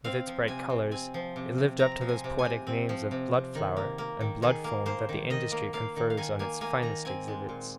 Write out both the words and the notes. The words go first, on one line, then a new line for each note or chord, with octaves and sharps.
With its bright colors, it lived up to those poetic names of blood flower and blood foam that the industry confers on its finest exhibits.
C4 F5
F3
C3 G#5
C3
C4 G#5
F3
C3
C3
C4 A#5
F3
G#5
C3
G#5
C3
C4
F3
C3
C3
D#3
A#3
A#3
D#3
D#3 G#4
A#3
A#3 C5
D#3
D#3 D#5
A#3
A#3 F5
D#3
F5
D#3 G#5
A#3 G#5
A#3 G#5
D#3 A#5
C4 G#5
G#3
A#2